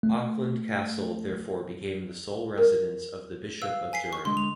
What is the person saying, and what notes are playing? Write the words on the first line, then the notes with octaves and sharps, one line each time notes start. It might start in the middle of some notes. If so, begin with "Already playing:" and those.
Auckland Castle therefore became the sole residence of the Bishop of Durham.
A3
A#4
B4 F5 E6
G#5 B6 C7
C#6
D3 G#3 C6
F7